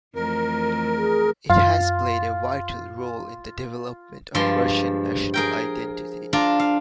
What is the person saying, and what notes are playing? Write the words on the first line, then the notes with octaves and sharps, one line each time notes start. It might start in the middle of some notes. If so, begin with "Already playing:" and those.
It has played a vital role in the development of Russian national identity.
F2 E3 A3 A#4
G#4
F#2 F4 F5 A6
G2 F3 G#3 C6
G#4 A#4 G5
D4 F4 A#5
F5